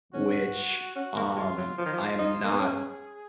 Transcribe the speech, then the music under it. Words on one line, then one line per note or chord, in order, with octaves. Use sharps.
which, um, I am not,
C#4 F#4
C#4 F#4
A#3
G#3 F4
F#3
F3 F4
D#3
F3
D#4
A#3
B3
C#4 G#4